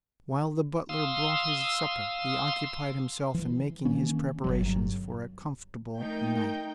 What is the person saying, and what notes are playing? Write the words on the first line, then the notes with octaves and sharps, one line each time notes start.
While the butler brought his supper he occupied himself in making his preparations for a comfortable night.
F5 C6 D#6 E6
E3
D#3 A#3 C#4
G1 C2 F#3
A3 D#4 A#4 G5 G6